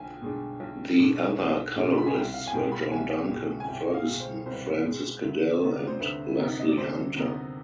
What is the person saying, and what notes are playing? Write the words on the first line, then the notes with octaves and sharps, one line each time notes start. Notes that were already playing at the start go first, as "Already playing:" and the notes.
The other colourists were John Duncan Fergusson, Francis Cadell and Leslie Hunter.
Already playing: B1 D4 G5 G#5
B2 G#3 D4
B1
B2 G#3 D4
B1
B2 G#3 D4
C6
B5
G#5
C2 G5
F5
G#5
B2 G#3 G5
B5
C2 G#5
B2 G#3
G#5
C2 G5
D#5
F5
B2 G#3
C5
C2 C5
B4
B4
B2 G#3
D2
C3 D#3 B3 D#4
D5
C5
D2 B4
C3 D#3 B3 D#4
D#5
D5
D2 C5
C3 D#3 B3 D#4